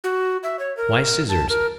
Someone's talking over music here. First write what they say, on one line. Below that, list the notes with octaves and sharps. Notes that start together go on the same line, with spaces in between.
Why scissors?
F#4
E5
C#5
A#4
A5
A#4